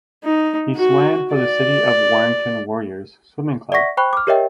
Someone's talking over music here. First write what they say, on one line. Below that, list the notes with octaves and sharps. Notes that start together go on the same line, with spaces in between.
He swan for the City of Warrington Warriors Swimming Club.
D#4
F#4
D5
D5 E5 F#5 C#6 A#6 B6
C5 G5 B5 C#6 F#6
D6 F6
G4 A#4 C#5 D#5 E5 G5